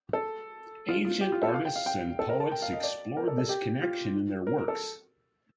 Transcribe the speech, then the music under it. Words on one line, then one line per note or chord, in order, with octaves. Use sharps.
Ancient artists and poets explored this connection in their works.
A4
F4
F4
G4
F4
A4
F5
G5
F5
G5
A4
A#4
A5
G5
F5
D#5
D5
A#4
A4
A4
G4
F4
A#4
A#4
A4